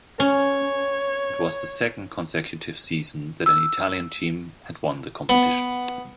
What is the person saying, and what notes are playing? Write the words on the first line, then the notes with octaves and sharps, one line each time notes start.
It was the second consecutive season that an Italian team had won the competition.
C#4 C#5
E6
B3